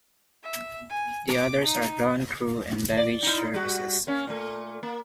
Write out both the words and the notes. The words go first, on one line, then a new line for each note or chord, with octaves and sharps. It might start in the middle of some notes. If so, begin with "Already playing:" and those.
The others are ground crew and baggage services.
E5
G#5
D6
D#4
D5
D#4 E4
G3 F#4
A#3 C#4
A#2 A3
A#3